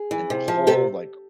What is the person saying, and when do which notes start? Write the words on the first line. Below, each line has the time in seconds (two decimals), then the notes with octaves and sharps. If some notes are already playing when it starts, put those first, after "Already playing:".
and the whole, like,
Already playing: G#4
0.11 E3
0.30 C3
0.48 F3
0.67 C3 G4 A4